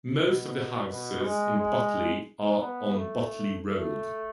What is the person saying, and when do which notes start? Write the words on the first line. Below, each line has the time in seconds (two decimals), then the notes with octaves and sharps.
Most of the houses in Botley are on Botley Road.
0.19 B2
0.89 B2
1.23 G#3
1.57 G#3
2.60 B3
2.95 A3
3.65 A3